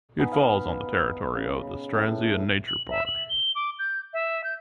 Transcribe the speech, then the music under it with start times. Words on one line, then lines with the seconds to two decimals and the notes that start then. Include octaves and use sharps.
It falls on the territory of the Strandzha Nature Park.
0.19 B3 D#4 B4 G#5
0.32 F5
1.35 C#3
1.94 A2
2.67 F#7
2.90 E5
3.06 F#7
3.29 G7
3.55 D6
3.79 G6
4.13 E5
4.44 G6